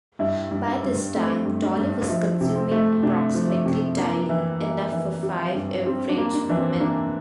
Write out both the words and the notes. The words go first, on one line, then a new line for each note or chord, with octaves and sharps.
By this time, Dolly was consuming approximately daily, enough for five average women.
G2 E4
G2
D4
G2
A3 C4
G2
D4
G2
F3 E4
C3
C4
A3
C3 D4
F3
E4
C3
A#3 D4
E3
A#3
E3
G3
G2
G3 C4
D4
A#3
D4
E3 D4
C4
A#3 D4